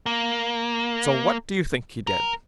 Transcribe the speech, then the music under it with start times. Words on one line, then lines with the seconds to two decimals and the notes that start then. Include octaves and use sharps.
So what do you think he did?
0.06 A#3
2.07 A#4